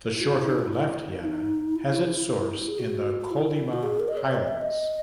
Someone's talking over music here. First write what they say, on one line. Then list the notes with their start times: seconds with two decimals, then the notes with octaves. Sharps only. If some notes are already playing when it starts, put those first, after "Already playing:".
The shorter Left Yana has its source in the Kolyma Highlands.
0.15 E4
0.21 F#4
0.33 E4
0.47 D#4
0.59 E4
0.72 E4
1.23 D#4
1.76 E4
2.68 G#4
2.79 F#4
3.20 F#4
3.31 E4
3.73 F#4
3.83 G#4
4.00 A#4
4.08 D#5
4.17 C#5
4.35 D#5
4.48 E5
4.61 D#5